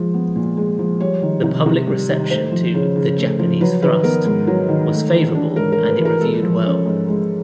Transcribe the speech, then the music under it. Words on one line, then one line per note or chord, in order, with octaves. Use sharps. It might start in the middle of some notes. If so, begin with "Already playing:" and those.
The public reception to "The Japanese Thrust" was favourable and it reviewed well.
Already playing: F3 G#3
B3
A#2
G#3
F3
G3 C#5
D#3
C3
C3
G3
D#3
A3 C5
F3
C#3
C#3
A3
F3
F#3 B4
D#3 B4
B3 A#4
G#2
F#3
D#3
A3
E3
D4
G#2 A#4
A#4
A3
B4
E3
A#4
G#3 A4
F3
C#4
G#2
G#3